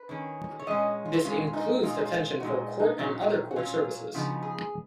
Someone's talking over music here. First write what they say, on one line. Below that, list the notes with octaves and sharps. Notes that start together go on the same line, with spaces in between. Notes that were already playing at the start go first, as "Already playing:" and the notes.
This includes detention for court and other court services.
Already playing: B4
D#3 A#3 C#4
C#5
A#2 G#3 C#4 D#5
F4
A#2 G#3 C#4 F4
D#4
A#2 G#3 D#4 F4
D#4
F4
A#2 G#3 D#4 F#4
D#4
A#2 F#3 C#4 D#4
F#4
A#2 F#3 C#4 F4
C#3 F3 B3 D#4 F#4
G#4